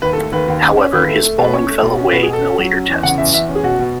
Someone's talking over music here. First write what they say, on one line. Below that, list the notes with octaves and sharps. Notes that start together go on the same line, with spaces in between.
However, his bowling fell away in the later Tests.
D#2 B4
A4
A3
A4
D#2 B4
D#2
C#4
C#4
D#2 B4
A3
A3
B2
B4
C#4 C#5
A3
B2
C#4
B2 B4
G#4
B2
A4
C#4
F#3
C#4
E2
C#3 F#5
E2 E5
E2 E5
C#4
G#4
B2 F#4
B2